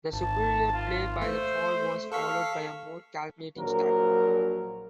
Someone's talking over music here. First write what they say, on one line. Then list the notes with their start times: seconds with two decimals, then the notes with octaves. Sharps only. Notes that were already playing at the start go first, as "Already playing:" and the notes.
The superior play by the fall was followed by a more calculating style.
0.12 G#1 A5
0.73 F4
1.21 A3 C5
2.12 A4 F5 C#6 B6
3.56 A#1 F#3 A#4